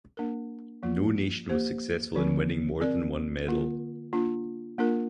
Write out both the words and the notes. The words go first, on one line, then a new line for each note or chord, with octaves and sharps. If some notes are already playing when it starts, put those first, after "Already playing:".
No nation was successful in winning more than one medal.
A#3 D4 A#4
F3 A#3 F4
A#3 G4 C5
D3 F3 C4
C4 A#4 D5
D3 A#3 F4 A#4
A#3 D4 F4
A#3 D4 F4 A#4